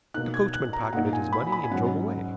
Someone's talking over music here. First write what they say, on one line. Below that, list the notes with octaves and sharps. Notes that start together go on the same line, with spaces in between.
The coachman pocketed his money and drove away.
B2 A#3 D#4 F#6
G#6
F#6
A#5
A#2 A#3 D#4 F#5
G#5
B5
B5
G#5
G#2 F#3 C#4 F#5